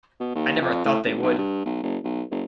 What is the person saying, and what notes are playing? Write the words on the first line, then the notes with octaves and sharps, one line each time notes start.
I never thought they would.
B2
D#2
F2
A2
G#1
B1
G2
B1
F#1
B1
F#1